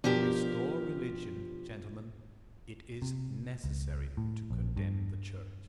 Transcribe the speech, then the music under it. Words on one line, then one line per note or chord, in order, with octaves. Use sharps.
To restore religion, gentlemen, it is necessary to condemn the Church.
B2 F3 D4 G4 A#4
C3
C#2
A2
A#1
G2